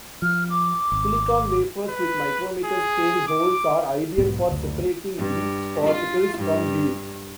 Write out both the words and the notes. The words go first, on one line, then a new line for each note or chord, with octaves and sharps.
Silicon wafers with micrometer-scale holes are ideal for separating yeast particles from beer.
F3 F6
D6
G#1
B4
G#4
D6
B1 G#2 B3
F#1 D2
G2
F4
G2